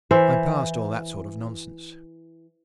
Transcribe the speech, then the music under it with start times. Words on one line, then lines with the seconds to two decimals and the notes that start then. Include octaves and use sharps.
I'm past all that sort of nonsense.
0.11 E3 C5 E5